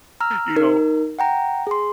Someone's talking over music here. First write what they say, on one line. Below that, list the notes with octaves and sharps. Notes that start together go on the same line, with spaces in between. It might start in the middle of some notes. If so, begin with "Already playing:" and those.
you know
A#5 E6 F6
D#4 A#4
F#5 G5 A#5
G#4 C6